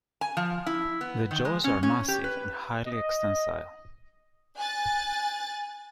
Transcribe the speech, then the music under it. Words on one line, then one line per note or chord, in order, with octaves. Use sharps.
The jaws are massive and highly extensile.
G#5
F3
E4
B3
D#3
G#3
C#4
C#4
G4
B4
D#5
G#5 F#6 A6